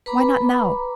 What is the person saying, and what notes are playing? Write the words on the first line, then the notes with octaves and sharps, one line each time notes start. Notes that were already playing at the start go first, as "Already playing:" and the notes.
Why not now?
B4 A#5 B5 D6